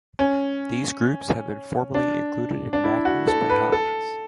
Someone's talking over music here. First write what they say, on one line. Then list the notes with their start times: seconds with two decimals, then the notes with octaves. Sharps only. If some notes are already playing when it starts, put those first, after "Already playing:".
These groups have been formerly included in macros by hobbyists.
0.19 C#4
1.95 D4
2.73 D4
2.84 E4
3.05 F#4
3.27 A4
3.50 B4
3.72 A4